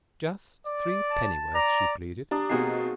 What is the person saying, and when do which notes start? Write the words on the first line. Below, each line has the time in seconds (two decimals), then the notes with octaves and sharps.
"Just threepennyworth," she pleaded.
0.66 D5
1.11 A5
1.55 D5 A#5
2.31 D4 G4 A#5 D#6
2.50 B2 A#3 C4 D#4 F#4 G#4 C7